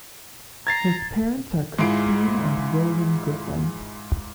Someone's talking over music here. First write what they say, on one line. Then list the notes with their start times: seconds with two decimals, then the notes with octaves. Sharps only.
His parents are Christine and William Griffin.
0.67 A#5 G#6 A6 C7
1.78 G#2 G#3 E4 F4 C7 D7